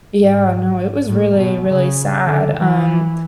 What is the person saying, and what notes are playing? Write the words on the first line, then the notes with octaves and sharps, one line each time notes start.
Yeah, no, it was really, really sad. Um,
G#2
A2
B2
C#3
D3
E3